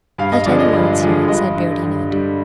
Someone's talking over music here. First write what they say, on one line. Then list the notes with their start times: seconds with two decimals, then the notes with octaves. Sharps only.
"I'll tell you what it's like," said Beardy Ned.
0.18 G2 F5
0.32 D#5
0.46 D3 F3 G#3 D5
0.59 D#5
0.73 G2
1.01 D3 F3 G#3
1.28 G2 D#5
1.55 D3 G3
1.82 G2
2.10 D3 G3